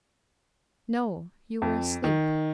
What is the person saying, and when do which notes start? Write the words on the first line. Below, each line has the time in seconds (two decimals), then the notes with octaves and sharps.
"No, you were asleep."
1.62 F2
2.04 D#3